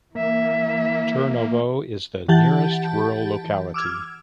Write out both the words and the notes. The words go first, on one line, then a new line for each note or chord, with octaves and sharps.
Turnovo is the nearest rural locality.
E3 A#3 E5
E3 G4 F#5 A5 G6 A6
D6 E6 F6 G#6